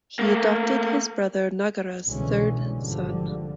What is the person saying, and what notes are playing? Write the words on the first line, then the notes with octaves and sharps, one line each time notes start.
He adopted his brother Nagara's third son.
A3 A#3
C2 B2 D3 E3 G#3 C#4
G#1 G2 D3 F3 G3